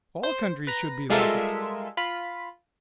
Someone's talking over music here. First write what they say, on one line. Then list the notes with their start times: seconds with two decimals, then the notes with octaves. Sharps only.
All countries should be like it!
0.23 C5
0.67 B4 A#5
1.09 G3 G#3 F4 A4 A#4 E5
1.97 F4 B5